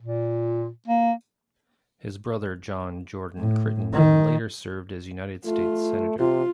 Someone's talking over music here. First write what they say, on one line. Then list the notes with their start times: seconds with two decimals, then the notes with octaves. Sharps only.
His brother John Jordan Crittenden later served as United States Senator.
0.02 A#2
0.87 A#3
3.38 A2
3.93 D#3
5.46 A3 F4
6.19 C3 F4